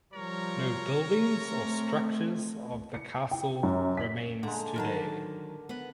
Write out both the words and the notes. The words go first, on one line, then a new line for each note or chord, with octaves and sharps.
No buildings or structures of the castle remains today.
F3 G3 A#4 C#5 A#5
A3 C4
C#7
G5
F#2
B6
D3 G#3 A#3 A#5
D#3 F#3 A#4 A5
B3 B4